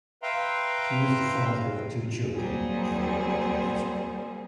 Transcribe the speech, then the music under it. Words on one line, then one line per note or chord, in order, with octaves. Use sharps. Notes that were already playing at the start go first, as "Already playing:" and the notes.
He was the father of two children and a loving husband.
B4 E5 F5 G5 A#5 C6
F#3 G3 A#3 C4 G#4